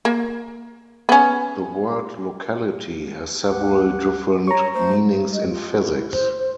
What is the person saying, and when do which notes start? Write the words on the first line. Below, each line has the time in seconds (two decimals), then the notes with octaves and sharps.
The word locality has several different meanings in physics.
0.05 A#3
1.09 B3 C#4
3.50 D2 G4 F#5
4.47 C#5 A#5 C#6
4.74 A3 B3 C5
5.33 D#5
5.47 F4
5.72 E4
5.96 E4
6.12 C5
6.38 C5